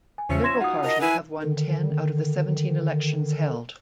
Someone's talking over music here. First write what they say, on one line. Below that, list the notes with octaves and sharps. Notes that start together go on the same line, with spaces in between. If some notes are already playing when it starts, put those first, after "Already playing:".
The Liberal party have won ten out of the seventeen elections held.
G#5
E2 C#3 F3 C#4 E5 C#7
C6 G#6 A#6 E7
D#4 F4 F#4 F#5 D#6
A#4 D#5 A5 A#5
E4 B4 G#5
D3 D#3